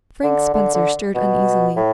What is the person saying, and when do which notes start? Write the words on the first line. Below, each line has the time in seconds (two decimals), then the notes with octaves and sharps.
Frank Spencer stirred uneasily.
0.23 D3
0.54 D3
0.74 D3
1.15 B2
1.76 A2